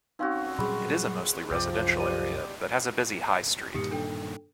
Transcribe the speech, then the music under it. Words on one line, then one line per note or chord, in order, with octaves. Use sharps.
It is a mostly residential area, but has a busy high street.
C4 C#4 D#4 F#4 F5
A#2 F#3 G3 G#4 B5
C2 F#2 F3 D5 D#5 G5
G3 D#7
G2 A#2 D#3 G4 D#6 C#7
D4 A4 G5